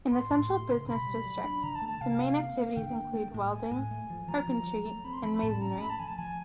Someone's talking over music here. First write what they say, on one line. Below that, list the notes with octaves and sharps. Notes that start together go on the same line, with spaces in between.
In the central business district, the main activities include welding, carpentry and masonry.
A2 C6
A2
A3
C#3
B2 B5
G3
F#3
D4
D3 A#5
A5
A3
A5
C3 F5
C3
A#3
A#3
D3 G5
A#3
A3
A2
A3 G#5
A2
A3
F3
F3 A#5
F3
F#3
A3
C4 B5
C6
F3 B5
B5
A2 A5
C#4 A#5
A3 B5
A5
F3 G#5
A5
F3 G#5